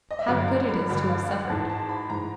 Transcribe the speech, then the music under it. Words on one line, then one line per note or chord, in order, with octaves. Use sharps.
How good it is to have suffered!
D#5
E5
A1 G2 D3 F#3 F5
A#5
B5
A1 G2 D3 F#3 B5
F5
F#5
G#1 G#2 E3 A5
A5
B5
G#2 E3 A#5